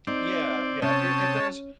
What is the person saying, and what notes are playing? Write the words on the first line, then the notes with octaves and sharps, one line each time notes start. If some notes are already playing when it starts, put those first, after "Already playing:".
Yeah, yeah. If if there's
C4 D#4 D5
C3 C#4 C#5 G5 A5 D#6